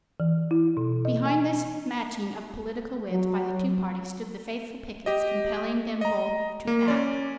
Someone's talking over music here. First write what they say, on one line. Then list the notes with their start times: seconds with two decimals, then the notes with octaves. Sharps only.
Behind this matching of political wits by the two parties stood the faithful pickets compelling them both to act.
0.20 E3
0.51 E4
0.77 B2
1.05 D#5
1.26 G#5
3.12 F#3
5.06 G4 D#5
6.01 D#5 A#5
6.67 A#3
6.88 C#4 D5